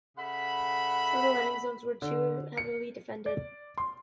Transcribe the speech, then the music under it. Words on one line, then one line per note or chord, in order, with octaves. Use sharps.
Some of the landing zones were too heavily defended.
C#3 A4 E5 F#5 B5
D3
C#7
D5
C6